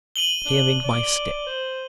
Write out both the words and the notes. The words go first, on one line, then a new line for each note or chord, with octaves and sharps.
Hearing my step!
D#7 F#7 G7
D4
D5
C5